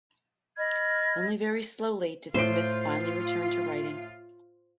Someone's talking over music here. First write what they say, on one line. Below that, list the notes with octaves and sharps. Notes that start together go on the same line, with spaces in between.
Only very slowly did Smith finally return to writing.
D#5 B5 F6 G#6
A2 F4 C5 D7